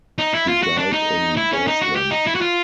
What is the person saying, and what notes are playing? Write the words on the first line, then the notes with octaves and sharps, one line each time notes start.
He died in Burslem.
D#4
E4
F4
F#4
D4
D#4
E4
C#4
D#4
F#4
G4
D#4
E4
F#4
F4